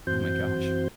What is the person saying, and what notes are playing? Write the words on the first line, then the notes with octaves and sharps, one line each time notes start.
Oh my gosh.
F#2 E3 C4 F#4 C5 G6